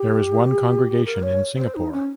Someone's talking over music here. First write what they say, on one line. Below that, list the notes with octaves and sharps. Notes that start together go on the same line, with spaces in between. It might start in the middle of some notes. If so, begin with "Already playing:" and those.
There is one congregation in Singapore.
Already playing: G4
A#4
C#5
C5
D#4
C#4